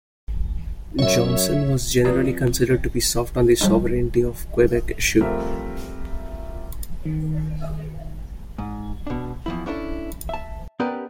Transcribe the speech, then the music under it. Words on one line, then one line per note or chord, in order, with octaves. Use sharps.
Johnson was generally considered to be soft on the sovereignty of Quebec issue.
F#2 C#5 E5
F3 C4 F4 F#4 B4 D5
F3 G3 D#4
F3 G3 A3 C4 A#4 E5
D#3
G#2
B2 D4
E2 F3 E4
C#4 D4 E4 A4
E5 A5
B3 C#4 G4 A#4 B4 D5